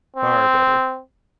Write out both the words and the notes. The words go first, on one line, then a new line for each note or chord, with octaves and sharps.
Far better.
C4